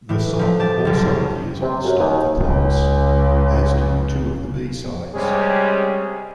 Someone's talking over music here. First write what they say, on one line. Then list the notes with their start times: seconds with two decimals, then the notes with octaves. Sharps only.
The song also appears on "Stop the Clocks", as do two of the B-sides.
0.09 A2 E3
0.39 F3 A3
0.60 G4 A5
0.85 F#1 C2
1.62 C3
1.84 F#2
1.99 D#2
2.43 C#2 C#3
5.14 C3 G3 G#3 C#4 G#4